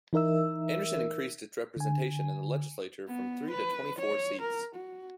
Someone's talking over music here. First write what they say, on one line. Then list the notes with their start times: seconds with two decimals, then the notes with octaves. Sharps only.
Anderson increased its representation in the legislature from three to twenty four seats.
0.13 E3 D#4 A#4 E5 E6
1.76 D3 G#5
3.08 B3
3.51 B4
3.99 C#5
4.42 A#4
4.75 F#4